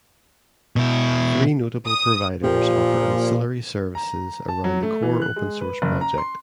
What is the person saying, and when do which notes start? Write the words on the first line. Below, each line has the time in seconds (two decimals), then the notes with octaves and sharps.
Three notable providers offer ancillary services around the core open source project.
0.76 B2 E4
1.85 D#6
2.44 A#2 F3 G4 A#4
3.95 A#5
4.48 A5
4.64 F#3
4.82 A3
5.02 E3
5.22 F#6
5.36 G#3
5.61 B4
5.82 F#1
6.01 A#5
6.18 C6